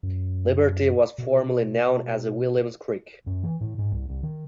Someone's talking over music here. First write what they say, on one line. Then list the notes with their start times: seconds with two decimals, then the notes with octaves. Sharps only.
Liberty was formerly known as Williams Creek.
0.03 F#2
1.18 B2
3.26 F#2
3.43 E3
3.61 A2
3.78 G#2
3.92 C2
4.09 C2
4.23 D#3